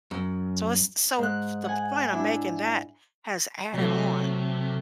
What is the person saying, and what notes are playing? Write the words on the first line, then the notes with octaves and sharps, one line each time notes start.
So, it's this So, the point I'm making, that has added on.
F#2
G#2 F#6
F#5 G#5
D4 E4
C3 F#3 A3